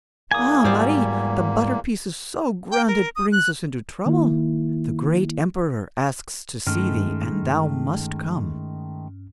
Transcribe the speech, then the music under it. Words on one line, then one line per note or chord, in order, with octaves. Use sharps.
"Ah, Marie! the butter-piece is so grand, it brings us into trouble. The great Emperor asks to see thee, and thou must come!"
E2 A#3 G#5 D#6
G#2 G3 F#4 C5 D5
G5
A#4
D#6
F#6
D#3 A#3 E4
G2 D#3 G#3 A3 C#4 F6